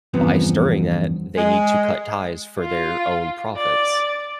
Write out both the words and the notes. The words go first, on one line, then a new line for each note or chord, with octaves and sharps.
by stirring that, they need to cut ties for their own profits,
E2 G2 C#3 F3 B3 C4
G#3
F4
D5